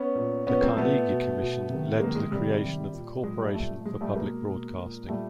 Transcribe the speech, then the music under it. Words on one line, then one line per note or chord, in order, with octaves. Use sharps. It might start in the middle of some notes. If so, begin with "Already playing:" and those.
The Carnegie Commission led to the creation of the Corporation for Public Broadcasting.
Already playing: B3 C#4
A#2
A#2 B3 C#4
A#3 C4
A#2 A3 B3
B2
B2
C3 D#3
C3 D#3 G#3 A#3
G#3
C3 D#3 G3
C3 D#3
A#2
A#2 G#3
G3 A3
A#2 G3 A3
A3
A#2 G#3
G3 A3
B2 G#3 A#3
B2
A#2
A#2 G3 A3